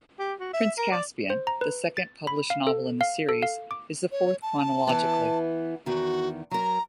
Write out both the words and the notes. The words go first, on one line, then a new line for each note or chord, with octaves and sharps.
"Prince Caspian", the second published novel in the series, is the fourth chronologically.
G4
F#4
E5
A#4
D5
C5
A#5
B4
A6
B5
F5
A4
F5
A4
F5
D6
C#5
A5
E3 B3
E2 D#3 F#4
F#3 A#4 A#5